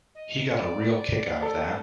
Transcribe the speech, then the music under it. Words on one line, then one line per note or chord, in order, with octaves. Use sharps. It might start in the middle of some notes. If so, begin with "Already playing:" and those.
He got a real kick out of that.
D#5
D5
A4